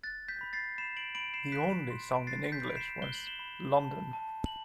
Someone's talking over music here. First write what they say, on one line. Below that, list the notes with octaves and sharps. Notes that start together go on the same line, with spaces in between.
The only song in English was "London".
F#6 A6
G6 B6
B5
A6 C7
B5 C7 E7
D7 F#7
B5 D7 F#7
C7 E7
F#6 B6 D7
C6
D7
F#6 A6 C7
G6 B6
B5
D7
C7 E7
F#6 G7
F#7
E7 G7
B5
A5
A5
F#7